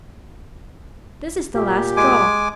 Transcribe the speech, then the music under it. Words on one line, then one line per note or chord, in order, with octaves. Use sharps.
This is the last straw.
A#2 G4
G#3 G#5 D6